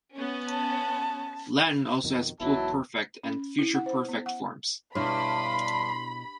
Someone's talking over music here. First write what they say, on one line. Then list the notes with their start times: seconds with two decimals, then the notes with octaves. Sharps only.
Latin also has pluperfect and future perfect forms.
0.15 B3 C#4
0.50 A5
2.04 F2 B2 D#3
2.40 E1 B1 B2 F#3 E4 A5
3.24 C#4
3.59 E4
3.75 F#5
3.86 C5
4.09 B3
4.26 F#5
4.95 G2 B2 E4 C#5 B5 C6